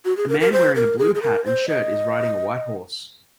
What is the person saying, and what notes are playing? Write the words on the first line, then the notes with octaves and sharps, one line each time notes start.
A man wearing a blue hat and shirt is riding a white horse.
F#4
G#4
A#4
A#4
C5
A#4
G#4
G#4
A#4
C5
D#5